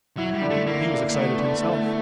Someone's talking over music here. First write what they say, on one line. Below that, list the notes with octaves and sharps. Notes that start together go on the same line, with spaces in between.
He was excited himself.
F#3 E4
G3
D3
A3
A#3 E4
D3
A#3
A3 B3
D3
E4